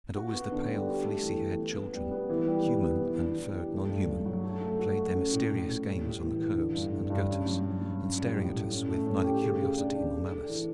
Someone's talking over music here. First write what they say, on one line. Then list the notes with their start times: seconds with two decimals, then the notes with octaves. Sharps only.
And always the pale fleecy-haired children, human and furred nonhuman, played their mysterious games on the curbs and gutters and staring at us with neither curiosity nor malice.
0.15 F#4
0.33 B3
0.51 D3
0.69 G3
0.87 G4
1.05 A3
1.23 E3
1.40 A3
1.58 B3
1.76 B3
1.94 G3
2.11 B3
2.30 E3
2.47 G3
2.65 E3
2.83 B3
3.01 E3
3.18 D4
3.37 E3
3.54 G4
3.72 A3
3.90 G2
4.08 F#3
4.26 F#3
4.43 A3
4.61 A3
4.79 F#4
4.97 A3
5.14 C#4
5.32 A2
5.50 A2
5.68 A2
5.86 G3
6.04 A2
6.21 E3
6.39 E3
6.57 D3
6.75 G2
6.93 G2
7.10 G2
7.28 C#4
7.46 F#3
7.64 F#3
7.82 F#3
8.00 C#4
8.18 G3
8.35 A2
8.53 A2
8.71 C#4
8.89 A3
9.07 C#4
9.24 G4
9.42 C#3
9.60 C#3
9.78 D4
9.95 D4
10.14 A4
10.31 D4
10.49 E3